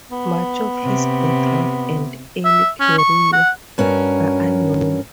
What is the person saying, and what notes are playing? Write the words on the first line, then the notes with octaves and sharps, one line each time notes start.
Much of his background and early career are unknown.
B3
C3
E5
C#4
C#6
F#5
G2 C#4 F#4 A#4